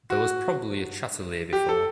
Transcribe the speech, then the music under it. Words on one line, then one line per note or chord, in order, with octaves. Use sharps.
There was probably a Chatelier before.
F#4
G4
A4